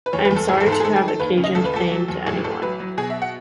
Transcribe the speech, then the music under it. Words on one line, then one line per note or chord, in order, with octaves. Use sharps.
I am sorry to have occasioned pain to anyone.
B4
E2 C#5
B4
E2
A4
G#1 G#4
A4
G#2
A4
G#4
D#3 A4
G#4
D#3
A4
D#2 B4
C#3
D#5
C#2 A4
B4
C#2 A4
F#3
E2
A1 G#4
A1 A4
F#3 B4
F#3
B2 G#4
E5
F#5